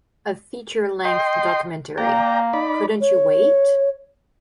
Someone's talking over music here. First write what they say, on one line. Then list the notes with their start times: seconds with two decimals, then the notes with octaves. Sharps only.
A feature-length documentary, Couldn't You Wait?
1.05 D#5 G5 C6
1.98 A#3 D5 G5 A#5
2.53 D#4 D5 B5
3.01 C#5